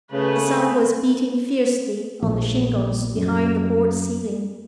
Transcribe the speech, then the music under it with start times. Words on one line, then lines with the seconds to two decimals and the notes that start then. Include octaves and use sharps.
The sun was beating fiercely on the shingles behind the board ceiling.
0.12 C#3 A3 B4
2.22 A#1
3.16 F#2